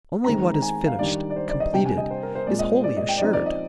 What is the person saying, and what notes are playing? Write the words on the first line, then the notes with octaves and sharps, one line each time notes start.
Only what is finished, completed, is wholly assured.
D#3 G#3 C4 A#5
A#5
G#5
F5
D#3 G3 D4 D5
D5
C5
D5
D#5
C3 G3 D4 G5
G#5
D#5
C5
A#4
C5
A#2 G#3 C4 D5
D#5
C5
D5
D#5
G5
D5
F3 C4 D#4 D#5
D5
D#5